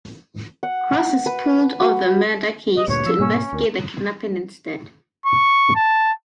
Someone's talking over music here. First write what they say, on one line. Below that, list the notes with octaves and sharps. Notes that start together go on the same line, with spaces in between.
Cross is pulled off the murder case to investigate the kidnapping instead.
F#5
B4
F#4
G4 B4 D#5
D2 G2 A#2 C#5
F3 E6
G#2 B2 A#3 C#4
D2 A#4
C#6
A5